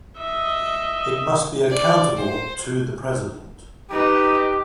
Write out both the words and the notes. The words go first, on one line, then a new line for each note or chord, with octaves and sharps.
It must be accountable to the President.
D#5 E5
D5
C5
D#4 G4 B4